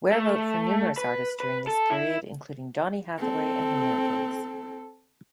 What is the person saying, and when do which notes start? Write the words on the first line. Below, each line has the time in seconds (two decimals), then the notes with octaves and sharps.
Ware wrote for numerous artists during this period including Donny Hathaway and The Miracles.
0.12 A3
0.97 B4
1.40 B4
1.67 A4
1.90 E4
3.18 C4 A4